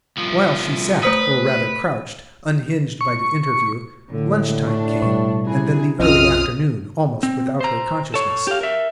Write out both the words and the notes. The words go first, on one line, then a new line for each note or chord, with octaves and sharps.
While she sat, or rather crouched, unhinged by the interview, lunch-time came, and then the early afternoon, almost without her consciousness.
C2 F3
A3 B4 C5 D#6
C#6
A2 D3
D4 C#6
B2 G3 C#6
C3 E4 G#4
B1 F#2 C4 C#4 F4 D#5 D#6 F6
C4
C5 A#5
A4 C#5
G4 F5
A#4 E5